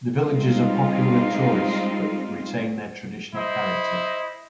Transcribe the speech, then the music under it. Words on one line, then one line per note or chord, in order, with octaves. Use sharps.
The villages are popular with tourists but retain their traditional character.
G3 G#3 C4 D#4 F4
E4 C5 D#5